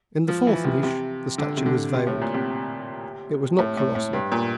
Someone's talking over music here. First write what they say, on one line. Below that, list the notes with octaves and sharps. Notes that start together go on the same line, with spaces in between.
In the fourth niche the statue was veiled; it was not colossal.
F3
E3
C3
C3
D3
C3
D3
C3
A2
A#2
C3
A2
A2
A2
G2
A#2